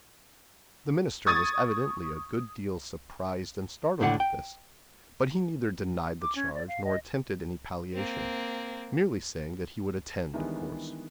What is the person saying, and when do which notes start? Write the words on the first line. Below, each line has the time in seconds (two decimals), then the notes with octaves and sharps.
The minister was evidently a good deal surprised and startled at this, but he neither denied the charge nor attempted any palliation, merely saying that he would attend, of course.
1.27 C#6 D#6 G#6 A6 D#7
4.00 C#2 A2 D3 D4 F#5
4.20 G5
6.21 D6
6.35 C#4
6.54 D5
6.68 F5
6.84 D#5
7.94 A#3 C4
10.34 D#3 E3 G3 G#3 B3 D4